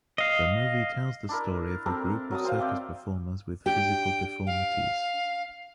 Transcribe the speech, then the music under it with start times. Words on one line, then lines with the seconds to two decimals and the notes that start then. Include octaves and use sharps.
The movie tells the story of a group of circus performers with physical deformities.
0.18 D#5 F5
1.29 D4 E4 A#4
1.86 C4 D4 A4 A#4
2.31 F#3 A#4 A5 D#6
2.44 C4 C5 F5
2.58 C4 D5 E5 G5
3.66 D4 G4 G5
4.47 F5